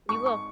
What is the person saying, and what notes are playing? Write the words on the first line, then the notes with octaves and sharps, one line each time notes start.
You will.
G#2 C#6
C#6